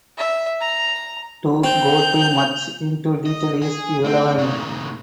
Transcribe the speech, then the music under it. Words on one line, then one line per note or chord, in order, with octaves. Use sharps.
To go too much into detail is irrelevant.
E5
A#5
C4 G6 F7
D#5
G#4
A3 C4 D#4
A#2 C#3